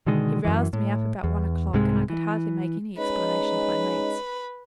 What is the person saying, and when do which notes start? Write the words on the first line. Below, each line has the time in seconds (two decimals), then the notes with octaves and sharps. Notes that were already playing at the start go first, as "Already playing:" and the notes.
He roused me up about one o'clock, and I could hardly make any explanation to my mates.
0.07 B2 D3 D#3 G#3
0.45 F#2 E3
0.73 A2
1.24 E2
1.73 C2 G#2 C3 G#3
2.10 E3
2.97 G#3 C#4 D#4 B4